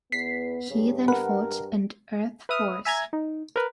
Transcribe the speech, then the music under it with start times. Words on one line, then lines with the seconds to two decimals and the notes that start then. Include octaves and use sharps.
He then fought and Earth Force.
0.12 E2 B3 B6 C7
0.70 G2 C#3
1.08 A#4 B4 F#5
2.49 B4 E5 D#6 F6
2.85 E5 G#5 A#5 G#6
3.13 D#4
3.56 A#4 B4